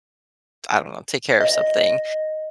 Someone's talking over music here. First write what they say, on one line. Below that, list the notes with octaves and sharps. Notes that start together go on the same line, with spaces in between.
I don't know, take care of something,
D#5